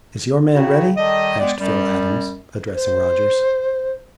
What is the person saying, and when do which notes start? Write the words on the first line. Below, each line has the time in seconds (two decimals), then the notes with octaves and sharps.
"Is your man ready?" asked Phil Adams, addressing Rodgers.
0.55 A2 C#3 D#4 E4 F#4
0.97 D#3 G3 A4 D#5
1.40 G#3 B3 C4 D5
1.60 F#2 G3
2.75 C5